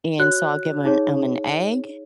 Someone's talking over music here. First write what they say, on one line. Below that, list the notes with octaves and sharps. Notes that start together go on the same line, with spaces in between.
And so I'll give m him an egg
F#4 C#5 F#6
D#4 G#4 C#5